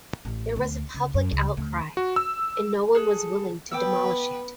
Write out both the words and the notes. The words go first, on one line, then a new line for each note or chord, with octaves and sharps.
There was a public outcry, and no one was willing to demolish it.
A1
D2
C#2
F#2
C#2
D2
F#4
E6
G#4 A4 F#6
B3 B4 G5 D6 E6